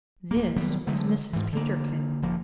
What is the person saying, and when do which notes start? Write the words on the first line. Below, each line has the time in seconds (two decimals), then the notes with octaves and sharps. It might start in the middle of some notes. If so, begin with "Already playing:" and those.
THIS was Mrs. Peterkin.
0.31 D#1 A#3
0.56 D#3 F#3 G3 B3
0.87 D3 F#3 G#3 A3
1.33 G#2 E3
1.53 D3 A#3
2.23 E1 F3 A#3